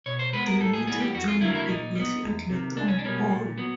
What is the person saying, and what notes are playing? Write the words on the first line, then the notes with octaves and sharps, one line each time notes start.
They later joined the battle at Lathom Hall.
B2 C#5
C5
G#3 B3 B4
A#4
A2 A4
G#4
E3 G3 B3 G#4
G4
F2 F#4
F4
D3 F#3 A#3 E4
E4
A#2 D#4
G3
B3
E2
C3 D#3
C2 D4
C#4
D4
B2 G3 A#3 C#4
A#2
F#3 B3